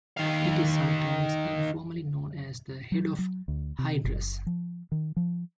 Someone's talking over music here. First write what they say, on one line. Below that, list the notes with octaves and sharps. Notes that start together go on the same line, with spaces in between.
It is sometimes informally known as the Head of Hydrus.
D#3 F5
F#3
F#3
D2
C3
F#1
F3
D#3
F3